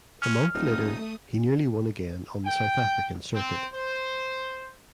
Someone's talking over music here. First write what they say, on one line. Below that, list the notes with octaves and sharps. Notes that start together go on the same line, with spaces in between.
A month later he nearly won again on the South African circuit.
C#4 F6
D#1 A3 D#4 D#6
G5
C4
C5